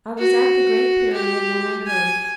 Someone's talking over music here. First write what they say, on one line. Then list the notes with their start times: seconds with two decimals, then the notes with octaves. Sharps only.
I was at the Great Pyramid when I heard.
0.18 F#4
1.13 G4
1.87 G#5